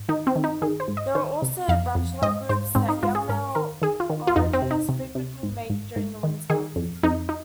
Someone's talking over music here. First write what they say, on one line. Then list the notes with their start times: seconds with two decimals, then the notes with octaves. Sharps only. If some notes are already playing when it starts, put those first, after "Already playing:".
There are also "bachelor groups" that young male onagers frequently make during the winter.
Already playing: G#2
0.09 D#3 D#4
0.27 C4
0.36 D#3
0.44 D#4
0.62 D#3 G#4
0.80 C5
0.88 G#2
0.97 D#5
1.15 D#3 C5
1.42 C3
1.68 F2 F5
1.95 F2
2.22 G#2 D#5
2.49 G#2 C5
2.75 G#2 C4
2.88 D#4
3.03 G#2 F4
3.15 G#4
3.29 G#2 A#4
3.55 D#3 A#4
3.82 D#3 G#4
4.00 F4
4.10 D#3
4.27 F4
4.36 F2 D#4
4.53 C4
4.62 C3
4.71 D#4
4.89 C3
5.15 C3
5.43 G#2
5.70 G#2
5.96 G#2
6.23 D#3
6.50 D#3 G#4
6.76 F2
7.03 F2 D#4
7.29 D#4